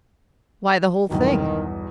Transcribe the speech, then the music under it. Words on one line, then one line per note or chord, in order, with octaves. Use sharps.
Why, the whole thing!
B1 E2 G2 D#3